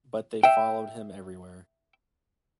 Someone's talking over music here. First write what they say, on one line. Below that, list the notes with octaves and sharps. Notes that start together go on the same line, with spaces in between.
But they followed him everywhere.
E5 G5